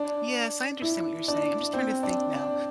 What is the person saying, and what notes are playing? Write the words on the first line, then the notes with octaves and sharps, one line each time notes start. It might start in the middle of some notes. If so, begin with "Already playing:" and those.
Yes, I understand what you're saying, I'm just trying to think now.
Already playing: D4
E4
D4
C4
D4
D4